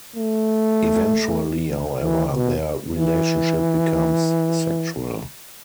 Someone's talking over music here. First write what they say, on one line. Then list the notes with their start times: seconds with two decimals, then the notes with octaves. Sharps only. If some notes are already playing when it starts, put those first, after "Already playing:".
Eventually, however, their relationship becomes sexual.
0.16 A3
2.02 E3
2.32 B2
2.94 E3